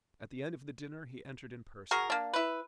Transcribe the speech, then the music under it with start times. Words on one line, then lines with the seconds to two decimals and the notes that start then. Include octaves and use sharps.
At the end of the dinner he entered in person.
1.91 F#4 G#4 A#4
2.10 A#3 D4
2.34 E4 B4